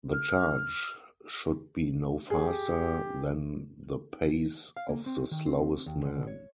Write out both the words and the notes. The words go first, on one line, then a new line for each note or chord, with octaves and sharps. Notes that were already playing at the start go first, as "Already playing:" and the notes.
The charge should be no faster than the pace of the slowest man.
F6
G4 G#4
F5
A#3
C4
D#3
C4
D#2
D3
C#5